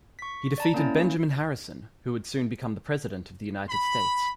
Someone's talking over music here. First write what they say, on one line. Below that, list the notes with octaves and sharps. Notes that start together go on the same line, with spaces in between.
He defeated Benjamin Harrison who would soon become the President of the United States.
C#6 B6
D5 A5 A#5
A#3 C#4 E4
B5